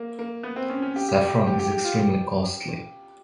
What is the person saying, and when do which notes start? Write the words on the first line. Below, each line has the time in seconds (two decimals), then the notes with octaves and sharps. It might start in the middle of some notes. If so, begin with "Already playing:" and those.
Saffron is extremely costly.
Already playing: A#3
0.19 A#3
0.43 B3
0.56 C4
0.70 C#4
0.82 C#4
0.96 G4
1.09 G4
1.21 G4
1.34 G4
1.47 G4
1.59 G4
1.72 G4
1.84 F4
1.98 G4